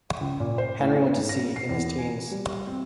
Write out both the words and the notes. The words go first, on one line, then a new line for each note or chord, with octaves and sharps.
Henry went to sea in his teens.
C#2
A#2
C5
A2
B3
G#2
A#6
C7
E2
G#5
G3
C4